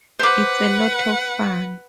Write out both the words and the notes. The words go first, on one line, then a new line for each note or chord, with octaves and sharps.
It's a lot of fun.
B4 C5 F#5 D6